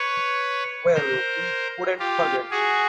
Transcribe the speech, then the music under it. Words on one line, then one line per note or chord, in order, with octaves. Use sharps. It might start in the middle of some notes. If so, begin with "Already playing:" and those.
Well, we couldn't forget.
Already playing: B4 C#5
A#4 C5
F4 G4
F#4 G#4